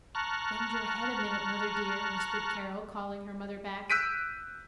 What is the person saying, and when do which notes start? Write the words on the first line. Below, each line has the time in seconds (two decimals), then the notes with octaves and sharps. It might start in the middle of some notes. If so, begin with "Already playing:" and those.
"Bend your head a minute, mother dear," whispered Carol, calling her mother back.
0.15 A5 A#5 C#6 F6 F#6
3.90 E6 F#6 G6 B6 D7 D#7